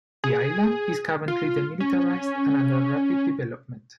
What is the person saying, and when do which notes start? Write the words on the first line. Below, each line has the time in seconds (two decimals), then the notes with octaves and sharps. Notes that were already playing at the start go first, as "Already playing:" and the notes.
The island is currently demilitarized and under rapid development.
0.24 G#4
1.28 F4
1.80 C#4